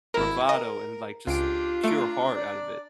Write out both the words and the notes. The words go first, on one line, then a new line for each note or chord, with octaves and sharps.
bravado, and, like, just pure heart out of it.
G#1 E4 A#4
A#4 D#5
C#2 D4 F4 G4 D7
A3 D4 A#5 D7
D5